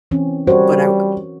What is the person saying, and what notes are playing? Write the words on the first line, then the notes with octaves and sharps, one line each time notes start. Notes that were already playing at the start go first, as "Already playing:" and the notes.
but, I
E3 C4 C#4
G3 F#4 A#4 C5 C#5